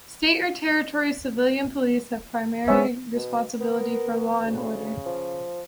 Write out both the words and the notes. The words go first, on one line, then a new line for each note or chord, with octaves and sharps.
State or Territory civilian police have primary responsibility for law and order.
G#3 C4 C#4 E5
B2
B3 A#4
D2 C#3
F3